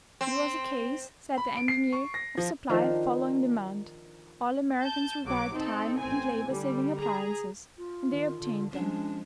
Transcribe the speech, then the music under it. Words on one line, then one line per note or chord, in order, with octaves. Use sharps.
It was a case, said the engineer, of supply following demand; all Americans required time--and labor-saving appliances, and they obtained them.
C4
B5
D7
C7
C#6
A#6
F3
D#3 F3 D4
A5 G6
B1 F#3 D6
C4 D#4 A4
A1 C4 G#5
D3 G3
G#4 A#5
F4
D#3
D3
F3 G#3 C#4 D4